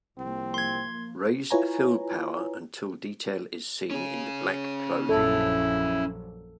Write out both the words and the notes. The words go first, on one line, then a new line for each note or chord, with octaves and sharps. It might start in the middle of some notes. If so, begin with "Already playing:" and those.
Raise fill power until detail is seen in the black clothing.
C2 F3 A#3 C4
C6 G#6
E4 F4 B4 C#5 G#5 A#5
C#4 G#4
A#1 F#2 E4 A4